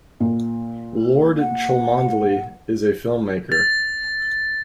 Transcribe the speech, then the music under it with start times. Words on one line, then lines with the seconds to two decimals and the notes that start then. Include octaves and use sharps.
Lord Cholmondeley is a filmmaker.
0.20 A#2
1.40 F#5
3.52 A6